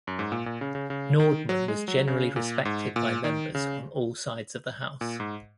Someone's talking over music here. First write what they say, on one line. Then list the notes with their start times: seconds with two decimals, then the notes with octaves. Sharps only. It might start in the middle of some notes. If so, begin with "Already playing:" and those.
Nordman was generally respected by members on all sides of the house.
0.07 F#2
0.19 G#2
0.32 A#2
0.46 A#2
0.61 C#3
0.75 C#3
0.90 C#3
1.20 D#3
1.49 F#3
1.68 G#3
1.88 F#3
2.07 C#3
2.36 A#2
2.65 G#2
2.96 A#2
3.24 D#3
3.55 C#3
5.01 A#2
5.20 G#2